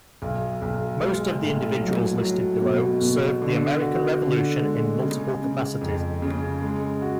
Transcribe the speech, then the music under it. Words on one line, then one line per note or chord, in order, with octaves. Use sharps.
Most of the individuals listed below served the American Revolution in multiple capacities.
B1
B1
G#3
A2
F#3
F#3
B2
B2
D3
F#4
D3
G#3
C#3
C#3
F2
C#3
G#3
F#4